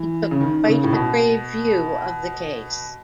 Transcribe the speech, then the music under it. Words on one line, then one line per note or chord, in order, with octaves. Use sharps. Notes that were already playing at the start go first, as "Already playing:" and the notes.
He took quite a grave view of the case.
Already playing: E3
C#3
D#3
C#3
A2
B2